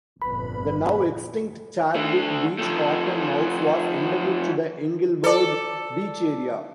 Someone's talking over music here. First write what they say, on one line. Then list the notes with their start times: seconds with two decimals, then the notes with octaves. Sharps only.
The now extinct Chadwick Beach cotton mouse was endemic to the Englewood Beach area.
0.22 G1 F2 A#2 B4 B5
1.95 A3 D4
2.59 F3 A3
5.24 A4 D5